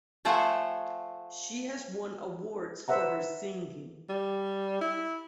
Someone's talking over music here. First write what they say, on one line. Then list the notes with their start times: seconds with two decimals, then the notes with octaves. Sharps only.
She has won awards for her singing.
0.25 F3 A3 A4 C5 F#5 G#5
2.88 B4 C5 E5 F#5 A#5
4.09 G3
4.81 E4